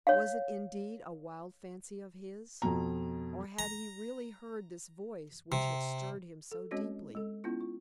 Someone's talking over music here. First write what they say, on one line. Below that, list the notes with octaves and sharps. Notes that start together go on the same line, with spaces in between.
Was it indeed a wild fancy of his, or had he really heard this voice which had stirred him so deeply?
C#5 F5
F2 B2 A#5
A#5
C3
A4
G#3 C4 C#4 F#4 C#5 D#5
G#3 A4
B3 C#4 E4 F4
F4